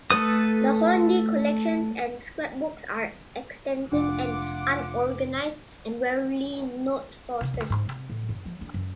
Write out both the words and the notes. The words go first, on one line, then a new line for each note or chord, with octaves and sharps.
The Hornby collections and scrapbooks are extensive and unorganised, and rarely note sources.
A3 A4 B4 D#6
F1 D4 F4 F#5 D6
C3
D2
G#2
C3
A2
F#2
F3
D4
F#2